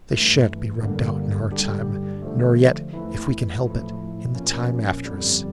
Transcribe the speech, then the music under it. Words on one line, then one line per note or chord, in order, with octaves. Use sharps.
They shan't be rubbed out in our time, nor yet, if we can help it, in the time after us.
G2 E3 A3
G1 G2 D3 G3 A#3
G2 D3 G3 D4 G4
D3 F3 A3
E2 E3 A3 E4
A2 F3 A3 E4
A#2 F3 A#3 C#4
G1 F2 D3 G3